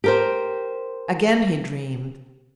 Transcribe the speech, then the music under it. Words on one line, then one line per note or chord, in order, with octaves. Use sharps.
Again he dreamed.
G4 A#4 C5